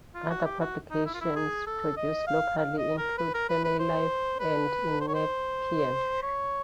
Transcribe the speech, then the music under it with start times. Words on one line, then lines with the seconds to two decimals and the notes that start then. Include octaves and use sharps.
Other publications produced locally include "Family Life" and "In Nepean".
0.15 F4
0.30 F#4
0.45 G4
0.61 F#4
0.91 D#4
1.06 E4
1.15 F4
1.21 E4
1.36 G#4
1.67 A4
1.97 D#5
2.27 F5
2.58 F5
2.78 D#5
2.98 A#4
3.18 B4
3.34 A#4
3.49 B4
3.64 B4
3.79 C5
4.40 B4
5.01 C5
5.08 C#5
5.15 C5
6.23 C#5